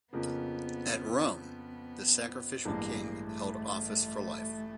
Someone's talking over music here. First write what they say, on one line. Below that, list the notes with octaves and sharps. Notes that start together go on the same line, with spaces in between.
At Rome, the Sacrificial King held office for life.
F2 C#3 F3 A#3 B3
B3
A1 G2 E3 G#3 A#3
A3